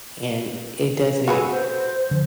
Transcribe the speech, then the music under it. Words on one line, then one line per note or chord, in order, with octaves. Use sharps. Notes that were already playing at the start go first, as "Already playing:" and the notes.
And, it doesn't
F#4 G#4 A4 B4
C5
D3 F3